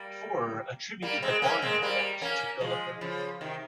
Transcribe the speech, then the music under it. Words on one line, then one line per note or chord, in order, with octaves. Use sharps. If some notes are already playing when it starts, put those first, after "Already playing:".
Forer attributed the Barnum effect to gullibility.
Already playing: G3 A#3
G3 A#3
G#3 C4
A#3 C#4
G#3 C4
G3 A#3
A#3 C#4
F3 G#3
C#3 F3
C3 D#3